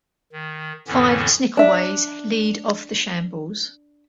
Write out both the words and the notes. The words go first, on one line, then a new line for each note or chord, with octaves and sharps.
Five Snickelways lead off the Shambles.
D#3
F2 A2 D3 E3 B3 C#4
D4 E5